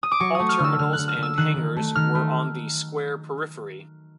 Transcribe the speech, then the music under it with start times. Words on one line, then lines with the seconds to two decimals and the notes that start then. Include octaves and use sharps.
All terminals and hangars were on the square periphery.
0.03 D#6
0.12 D6
0.20 F#3 C#6
0.35 A3 D#6
0.49 F6
0.59 D3 E6
0.79 D3 F6
0.93 F#6
0.98 D3
1.08 F6
1.18 D3 E6
1.38 D#3 F#6
1.57 D#3
1.76 A3
1.95 D#3 F6
2.15 A3